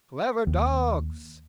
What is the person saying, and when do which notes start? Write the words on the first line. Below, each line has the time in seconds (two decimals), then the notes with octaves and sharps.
Clever dogs!
0.47 D#2